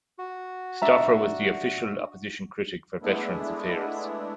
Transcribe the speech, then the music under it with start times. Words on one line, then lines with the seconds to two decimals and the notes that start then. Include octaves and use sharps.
Stoffer was the Official Opposition Critic for Veterans' Affairs.
0.19 F#4
0.82 D4 E5 A#5
3.03 G#3 A3 B3 D4 E4